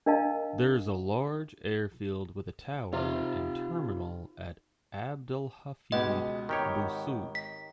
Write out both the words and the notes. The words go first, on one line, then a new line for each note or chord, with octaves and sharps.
There is a large airfield with a tower and terminal at Abdelhafid Boussouf.
D4 A#4 D#5 F5 A5
C3 D#4 F4 F5
C#2 B2 G#3 B3 G4 D#5
G#1 D#3 G4 C#5 G5
B6